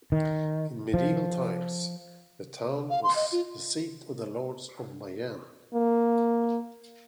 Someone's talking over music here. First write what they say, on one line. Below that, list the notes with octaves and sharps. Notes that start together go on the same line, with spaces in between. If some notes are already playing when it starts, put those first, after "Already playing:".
In medieval times, the town was the seat of the Lords of Mayenne.
D#3
F3
F5
C6
D#5
F4
A#3